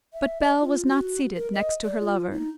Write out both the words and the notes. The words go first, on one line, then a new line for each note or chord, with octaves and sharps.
But Bell was not seated next to her lover.
E5
D#5
F4
F#4
A#4
D#5
D5
F4
D#4